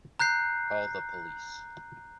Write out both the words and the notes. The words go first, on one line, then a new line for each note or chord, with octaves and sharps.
Call the police.
A#5 F#6 G6 C7